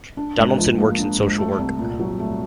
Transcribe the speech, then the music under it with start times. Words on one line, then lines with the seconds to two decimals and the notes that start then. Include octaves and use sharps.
Donaldson works in social work.
0.17 D4
0.39 G#2
0.58 F3
0.78 A#3
0.99 D4
1.19 G#2
1.38 A3
1.58 C2
1.79 A#2
2.00 F#3
2.19 A3